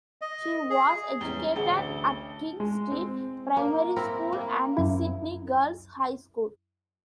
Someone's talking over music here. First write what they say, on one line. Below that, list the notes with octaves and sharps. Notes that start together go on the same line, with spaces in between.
She was educated at King Street Primary School and Sydney Girls High School.
D#5
G#4
E2 G3 G#3 C#4 G5 A#5 G7
A1 D2 G#4 F#5 G5 A5 G7
G#3
C4
A#3
C4 E4 A#4
A#3
F#2 E4